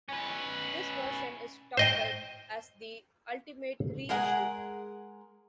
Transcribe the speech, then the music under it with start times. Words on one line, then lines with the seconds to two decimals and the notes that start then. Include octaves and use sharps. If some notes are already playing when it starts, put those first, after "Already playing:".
This version is touted as the "Ultimate Reissue".
0.09 C#4 B4
1.77 C5 D#5 G5
4.09 G#3 G#4 A#4 F#5